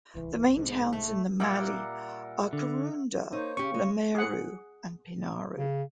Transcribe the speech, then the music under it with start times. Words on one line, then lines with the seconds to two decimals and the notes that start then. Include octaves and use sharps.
The main towns in the mallee are Karoonda, Lameroo and Pinnaroo.
0.15 D1 C2 E3
0.56 A#1 G#2 B2 D3
0.93 A3
1.40 A#2 G3 A#4 E5 F#5
2.53 D3
3.33 A#3 D#4 C5 C#5
3.57 C#3 C#4 G4 C#6
3.74 G#3
4.15 G#4 F#5
5.58 C#3